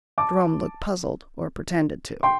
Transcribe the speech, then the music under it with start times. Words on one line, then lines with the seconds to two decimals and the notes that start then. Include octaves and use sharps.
Jerome looked puzzled, or pretended to.
0.18 A5 D6
2.23 G5 C6